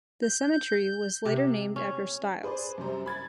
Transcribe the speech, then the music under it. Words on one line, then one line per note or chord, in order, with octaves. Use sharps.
The cemetery was later named after Stiles.
G6
C3
C#4
G#4 B4 C5 D5
F#2 C3 G3 C5 A#5
B5 G#6 A6